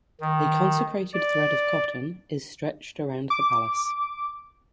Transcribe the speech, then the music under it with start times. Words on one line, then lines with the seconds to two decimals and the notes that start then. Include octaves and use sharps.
A consecrated thread of cotton is stretched around the palace.
0.21 D#3
1.13 D5
3.30 D6